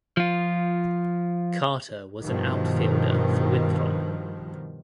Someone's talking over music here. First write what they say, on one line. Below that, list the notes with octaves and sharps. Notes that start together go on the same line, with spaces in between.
Carter was an outfielder for Winthrop.
F3 F4
G2 B2 D#3 F3